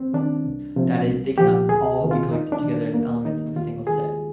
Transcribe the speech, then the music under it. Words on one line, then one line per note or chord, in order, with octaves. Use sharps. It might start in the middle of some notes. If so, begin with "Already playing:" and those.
That is, they cannot all be collected together as elements of a single set.
Already playing: D#2 C4
D#3 D4
C2
C3 F3
C2
A#2 F3 G4
D2 G#4
C3 D#3
F4
D#2 D#4
D4
D#3
D#2 A#3
D#3 D#4
D#2 F4
D#3 G#4